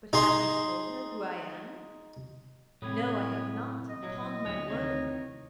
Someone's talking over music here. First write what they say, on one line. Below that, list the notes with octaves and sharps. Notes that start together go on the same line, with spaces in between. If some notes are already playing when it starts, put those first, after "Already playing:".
But have you told her who I am?" "No, I have not, upon my word.
D#4 G#4 C6
A2 C3 E3 F#3 C#5 B5 D#6
D#5
A#2 F#3 E4
D2 C#5 E5
C3 D#3 E3 C#5 D#5